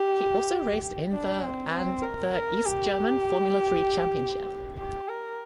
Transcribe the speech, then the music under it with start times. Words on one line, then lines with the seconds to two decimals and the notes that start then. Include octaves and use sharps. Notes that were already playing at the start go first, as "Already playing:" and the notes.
He also raced in the and the East German Formula Three Championship.
Already playing: G4
1.12 D4
1.42 C4
1.72 C4
2.02 A#4
2.34 A#4
2.65 G4
4.77 G4
5.08 A#4